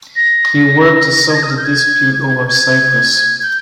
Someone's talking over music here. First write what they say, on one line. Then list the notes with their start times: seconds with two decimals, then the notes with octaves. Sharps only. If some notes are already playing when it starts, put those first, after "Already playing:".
He worked to solve the dispute over Cyprus.
0.16 A#6
1.29 G#6
1.35 A#6
1.43 D#6
1.50 F6
1.57 G6
1.64 G#6
2.53 G#6
3.43 G6